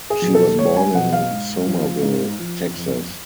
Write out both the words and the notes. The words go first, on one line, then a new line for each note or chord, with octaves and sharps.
She was born in Somerville, Texas.
G#4
B2 F#3
A4
C#2 C#5
G#5
B2 F#3 F#5
F5
G#2
F3
G#2
F3
F2